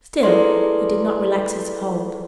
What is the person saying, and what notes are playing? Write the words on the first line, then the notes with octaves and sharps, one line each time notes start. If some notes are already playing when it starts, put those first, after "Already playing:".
Still he did not relax his hold.
E4 G#4 A4 B4 D5 C6